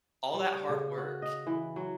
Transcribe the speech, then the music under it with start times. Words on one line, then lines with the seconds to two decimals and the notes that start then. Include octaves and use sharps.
all that hard work,
0.34 G3
0.54 C#5
0.69 C#3
0.98 F#4
1.22 D#5
1.47 E3
1.76 F#3